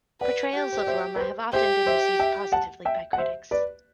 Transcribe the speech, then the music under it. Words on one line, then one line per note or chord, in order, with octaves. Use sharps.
Portrayals of Roma have often been received positively by critics.
B4 D5 F#5
G4
C5
D5
C5 E5
B4
C5
G4 C5 E5
C5 E5
E5 G5
F#5 A5
E5 G5
F#5
C5 E5
B4 D5